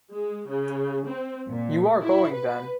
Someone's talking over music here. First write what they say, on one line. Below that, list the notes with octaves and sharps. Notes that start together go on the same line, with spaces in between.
You are going, then?
G#3
C#3
C4
A#2
E4
B4